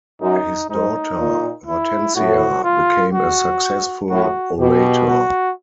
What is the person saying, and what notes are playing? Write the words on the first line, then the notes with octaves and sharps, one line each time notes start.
His daughter Hortensia became a successful orator.
F#2 D#4
G#2 D#4
A#2
E4
A2 F#4
F4
F#4
A2 F#4
B2 G4
F#4